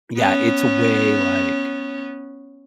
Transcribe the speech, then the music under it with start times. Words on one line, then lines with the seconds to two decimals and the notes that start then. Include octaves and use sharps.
Yeah, it's way like
0.17 B3 C#4